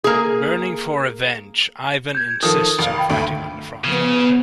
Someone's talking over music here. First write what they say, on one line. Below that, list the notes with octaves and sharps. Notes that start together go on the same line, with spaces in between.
Burning for revenge, Ivan insists on fighting on the front line.
A#3 G#4
G6 G#6
D#3 F3 A4 D#6
F1 F5
G5 B5
D2 A3
C#3 F3 B3